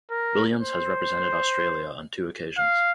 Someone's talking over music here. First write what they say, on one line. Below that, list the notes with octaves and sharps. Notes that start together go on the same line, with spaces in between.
Williams has represented Australia on two occasions.
A#4
C5
F5